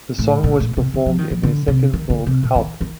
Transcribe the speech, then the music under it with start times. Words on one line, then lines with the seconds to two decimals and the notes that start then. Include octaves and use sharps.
The song was performed in their second film, Help!
0.18 A2
0.44 A#2
0.60 A#2
0.77 C3
0.94 D3
1.06 F3
1.18 D#3
1.31 F3
1.43 D3
1.68 C3
1.93 D#3
2.10 D3
2.26 C3
2.43 A#2
2.56 D#3
2.81 D#3